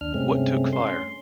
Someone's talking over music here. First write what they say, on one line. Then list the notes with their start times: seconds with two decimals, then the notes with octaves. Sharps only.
What took fire?
0.01 D#2 D4 F6
0.14 G2 C3 G#3 A3 C4 C#4
0.73 C#4 C6